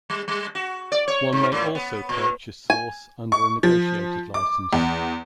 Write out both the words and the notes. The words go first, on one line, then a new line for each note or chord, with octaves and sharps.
One may also purchase source under a negotiated license.
G3
G3
F#4
D5
C#5
G#2
A2
B3
A#2
G#5
C#6
F3
D6
E2